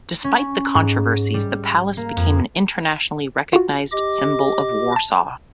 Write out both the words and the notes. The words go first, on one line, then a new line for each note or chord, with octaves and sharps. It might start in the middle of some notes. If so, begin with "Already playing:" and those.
Despite the controversies, the Palace became an internationally recognized symbol of Warsaw.
C#4
G#2
G3
A#3
F2
F4 F#4
G4 D#5 D6
A5